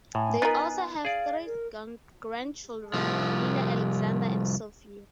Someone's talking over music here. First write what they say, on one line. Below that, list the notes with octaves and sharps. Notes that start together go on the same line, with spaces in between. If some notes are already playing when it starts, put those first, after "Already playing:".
They also have three grandchildren Nina, Alexander, and Sofia.
A2 G#5
B3 D#4 F4 A#4 B4
G#4 D5 F5
A#4
C2 F3